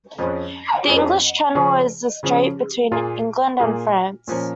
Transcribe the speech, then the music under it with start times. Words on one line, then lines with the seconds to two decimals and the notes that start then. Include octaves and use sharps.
The English Channel is the strait between England and France.
0.19 F2 F3 C#4 G#4
0.87 F2 F3 C#4 G#4
1.55 C#3 F3 C#4 G#4
2.23 C#3 F3 C#4 G#4
2.92 A#2 A#3 F4 G#4
3.59 A#2 A#3 F4 G#4
4.28 A#2 F3 C#4 A#4